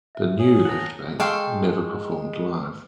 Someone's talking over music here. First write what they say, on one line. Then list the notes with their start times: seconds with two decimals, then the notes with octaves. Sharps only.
The "New" Left Banke never performed live.
0.15 E5
0.39 G#4 C#5
0.65 F#5 A5 A#5
1.20 G#3 A4 C5 F5 G5 C#6 E6